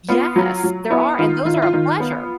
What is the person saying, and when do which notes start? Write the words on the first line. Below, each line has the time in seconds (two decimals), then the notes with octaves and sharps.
Yes, there are, and those are a pleasure.
0.09 B3 F4
0.36 F#3
0.63 F#3
0.90 B3 E4
1.19 D#3 F4
1.45 D#3 F4
1.54 E4
1.62 F4
1.73 D#3 F4
2.00 B3